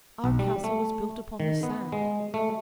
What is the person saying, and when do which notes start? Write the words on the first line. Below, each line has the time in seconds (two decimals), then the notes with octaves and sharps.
Our castle was built upon the sand.
0.24 B1
0.39 G3
0.64 A3
1.40 D#3
1.63 B3
1.92 G#3
2.34 A3